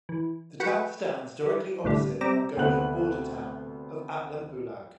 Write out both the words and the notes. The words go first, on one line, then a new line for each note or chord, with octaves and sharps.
The town stands directly opposite the Mongolian border town of Altanbulag.
E3
F#4 B4 F#5 G5 B5 C#6
G3
C2 A2 D3 G3
G3 C4 A#5 D6 E6
D2 C3 B3 F#5 F#6 F#7